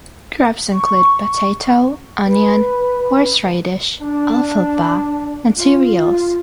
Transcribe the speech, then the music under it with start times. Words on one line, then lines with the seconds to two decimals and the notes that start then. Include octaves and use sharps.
Crops include potato, onion, horseradish, alfalfa, and cereals.
0.70 C#6
2.23 B4
4.01 D4
5.58 F4